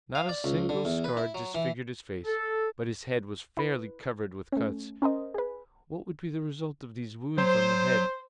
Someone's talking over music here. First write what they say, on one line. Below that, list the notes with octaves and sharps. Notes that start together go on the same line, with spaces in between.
Not a single scar disfigured his face; but his head was fairly covered with cuts; what would be the result of these wounds on the head?
F5
D5
C#2
D3
E2
B4
E4
F#3
E3
A4
E4 B4
A3 C#4
C#4 A#4 C5 D#5
G#4 B4
F#3 C5